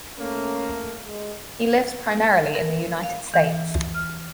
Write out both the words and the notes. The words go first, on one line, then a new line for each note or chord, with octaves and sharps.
He lives primarily in the United States.
A3 A#3 C#4
G#3
A#4
F5
E3
F6